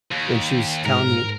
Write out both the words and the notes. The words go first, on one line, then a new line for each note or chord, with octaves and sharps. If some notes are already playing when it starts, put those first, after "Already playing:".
and she was telling me
D#2
G#2 A#4